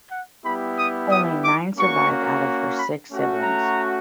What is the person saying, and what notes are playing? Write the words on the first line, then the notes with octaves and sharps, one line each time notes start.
Only nine survived out of her six siblings.
F#5
G3 B3 E4 G4 B5
D#6
D#6
D6
A#3 C#4 F#4 C#6
B5
A3 C#4 F#4
A#5